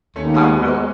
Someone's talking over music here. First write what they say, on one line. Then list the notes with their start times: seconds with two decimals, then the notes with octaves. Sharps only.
I will.
0.16 D#2 A3 C#4
0.34 G#3 B3